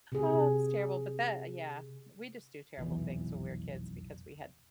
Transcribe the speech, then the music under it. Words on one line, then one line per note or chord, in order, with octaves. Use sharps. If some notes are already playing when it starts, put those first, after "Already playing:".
Oh, that's terrible, but that yeah, we just do terrible things when we're kids because we had
C3 G#4
F1 B1 E2 E3